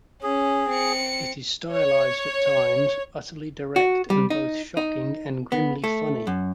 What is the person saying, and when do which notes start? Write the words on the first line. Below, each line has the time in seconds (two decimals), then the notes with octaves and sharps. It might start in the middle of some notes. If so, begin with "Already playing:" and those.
It is stylized at times, utterly direct and both shocking and grimly funny.
0.23 C#4 G#4
0.70 C4 C#7
1.73 C#5
3.76 F#4
4.10 G3
4.30 D#4
4.77 D#4
5.52 B3
5.84 A3
6.27 F#2